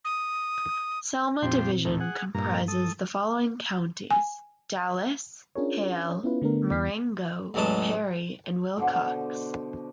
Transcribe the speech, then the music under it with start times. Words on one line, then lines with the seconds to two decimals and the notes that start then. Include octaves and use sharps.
Selma Division comprises the following counties: Dallas, Hale, Marengo, Perry, and Wilcox.
0.05 D#6
1.42 F2 A#2 C4 G4 C6
1.85 D#2 A2
2.00 G#4 F#5
2.35 G2 A#2 A#5
2.68 A4 D#6
4.11 G#5
5.55 C#4 D4 F4 G#4 A#4 C#5
6.23 B3 C#4 E4 F4 B4
6.42 D3 A3 B3 D4 A#4
6.71 E2 E3 B3 B6 C7
7.54 A1 E2 E3 F#3 G#3 A5
8.77 B2 D3 C5